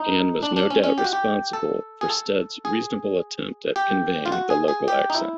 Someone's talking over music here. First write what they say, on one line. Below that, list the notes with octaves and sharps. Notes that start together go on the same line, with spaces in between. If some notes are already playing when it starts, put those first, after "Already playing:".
Anne was no doubt responsible for Stead's reasonable attempt at conveying the local accent.
Already playing: D#4
D4
D4
C#4
C#4
G4
F#4
G4
A4
G#4
A4
G#4
G4
F4
F#4
G#4
G#4
G4
D#4
E4